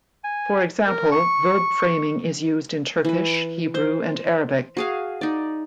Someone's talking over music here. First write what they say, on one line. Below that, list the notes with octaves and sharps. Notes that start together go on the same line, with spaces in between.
For example, verb framing is used in Turkish, Hebrew and Arabic.
G#5
A#4
C#6
E3 B4
C5
F#4 G#4 F5
D#4 D5